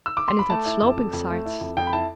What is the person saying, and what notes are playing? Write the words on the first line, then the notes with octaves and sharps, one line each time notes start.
And it had sloping sides.
E6
D6
C6
B5
A3 A5
E4
F2
F2
F2
A3
E4
F2
F2 G5
B5
E4 A5